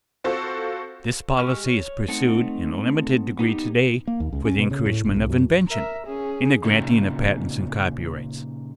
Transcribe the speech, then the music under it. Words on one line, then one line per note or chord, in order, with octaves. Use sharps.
This policy is pursued in a limited degree to-day for the encouragement of invention, in the granting of patents and copyrights.
C4 F4 F#4 A4 C5
G#3 G4 C#6 F6
C#5
A3 C4 D#4 F#5
B3 D#4 G4
A#3
D#2
C#2
C#4
B2
C#3
A2
E1
C2
F#2
A#4 E5
C#4 G#4
A#2 C#3 D#4